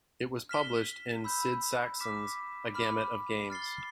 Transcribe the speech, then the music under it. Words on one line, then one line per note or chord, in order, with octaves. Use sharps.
It was published in Sid Sackson's A Gamut of Games.
F6 B6 E7 G7
B5 E6 G6
D6 F6 B6 E7
B5 D6 F6
F6 A6 C7 G7